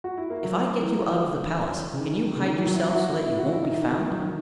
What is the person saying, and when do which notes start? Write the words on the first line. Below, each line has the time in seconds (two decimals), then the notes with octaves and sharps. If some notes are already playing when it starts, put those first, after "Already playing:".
"If I get you out of the palace, can you hide yourself so that you won't be found?"
0.04 F#4
0.18 E4
0.30 A#3
0.43 F#3
0.82 E3
1.93 C#3
1.98 D#3
2.36 C#3
2.46 D#3
2.56 E3
2.65 F#3
2.75 E4
2.95 F#4
3.13 E4
3.27 E4
3.39 F#4
3.52 E4
3.62 D#4
3.72 E3
3.81 D#3
3.91 E3
4.10 F#3
4.20 D#3